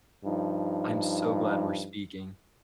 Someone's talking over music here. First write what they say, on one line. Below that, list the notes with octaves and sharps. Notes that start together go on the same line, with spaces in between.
I'm so glad we're speaking.
G2 F3 D#4